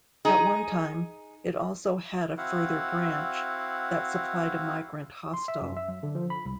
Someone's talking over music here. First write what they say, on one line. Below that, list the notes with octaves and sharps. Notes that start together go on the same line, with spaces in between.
At one time, it also had a further branch, that supplied a migrant hostel.
D#4 G#4
C4 E4 F#4 F5 F#5
C6
E5
F#2
E5
F#3
D3
F3
B5
C2